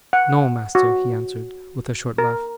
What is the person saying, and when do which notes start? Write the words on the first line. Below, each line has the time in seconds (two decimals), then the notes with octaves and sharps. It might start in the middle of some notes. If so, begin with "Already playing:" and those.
'No, master,' he answered with a short laugh.
0.13 F#5
0.75 F#4
2.18 A#4